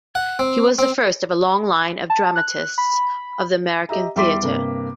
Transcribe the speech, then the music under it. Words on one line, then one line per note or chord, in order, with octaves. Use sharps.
He was the first of a long line of dramatists of the American theater.
F#5
C4
C4
A5
F#6
B5
G4 D#5 E5 A#5
E2 G3 E5 C6 D6 B6
G2 C3 A#3